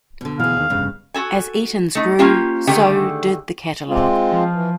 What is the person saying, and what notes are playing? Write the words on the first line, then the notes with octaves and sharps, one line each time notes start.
As Eaton's grew, so did the catalogue.
B2 D3
D2 B2 E3 G#4 F5
D#2 D#3
F1 G2 C#3
F#4 A4 G#5
A3 D#4
A#3 C#4 F4 G4
D3 D#3 A3 G4 G#4
G#3 C4 F4
F3
E3